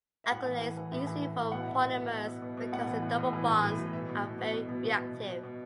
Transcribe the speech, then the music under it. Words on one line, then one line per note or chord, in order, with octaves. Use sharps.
Acrylates easily form polymers because the double bonds are very reactive.
E5
A2 F#5
E3
E3
E3
A2 E5
E3
E3
A2
B2 F#5
B2 E5
B2 E5
B2 E5
B2
B2
B2
B2
A2 F#5
E3
A2
A2
E3
A2
A2
A2
B2 E5
B2
B2
B2
B2
B2
B2
B2
B2
B2
B2